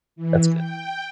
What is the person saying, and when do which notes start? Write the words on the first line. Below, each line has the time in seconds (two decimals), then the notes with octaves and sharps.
That's good.
0.16 E3
0.54 G5